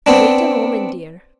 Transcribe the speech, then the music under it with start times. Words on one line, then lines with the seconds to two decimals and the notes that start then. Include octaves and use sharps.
Wait a moment, dear.
0.06 B3 C4 D4